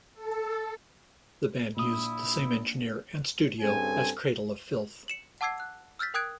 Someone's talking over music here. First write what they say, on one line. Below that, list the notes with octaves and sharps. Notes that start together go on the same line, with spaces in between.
The band used the same engineer and studio as Cradle of Filth.
A4
A#1 A#2 E4 D#6
G2 C#3 C4 A4 G#5
C#7 E7 F#7
F#5 A5 D6 E6 G#6 C7
F#6
E6 F6 G6 A6 B6
A#4 G5 D#6 F#6 G#6 D7